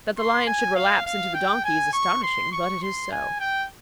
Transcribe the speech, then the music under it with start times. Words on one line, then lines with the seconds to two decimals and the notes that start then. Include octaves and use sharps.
That the lion should relapse into the donkey is astonishing; but it is so.
0.18 C6
0.47 G#5
0.76 F5
1.06 F5
1.34 G5
1.64 G#5
1.93 C#6
2.23 C6
2.52 C#6
2.82 C6
3.12 G#5
3.40 G5